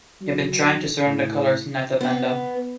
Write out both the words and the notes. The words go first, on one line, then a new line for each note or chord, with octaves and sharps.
He had been trying to surrender the colours, not defend them.
F#3
A2
B3